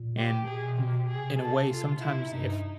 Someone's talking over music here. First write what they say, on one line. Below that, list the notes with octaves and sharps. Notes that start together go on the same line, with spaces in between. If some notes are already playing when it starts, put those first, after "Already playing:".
and, n in a way, sometimes if
Already playing: A#2
G4
B2 G#4
G4
C3 G#4
A4
F4
C3 E4
G2 D#4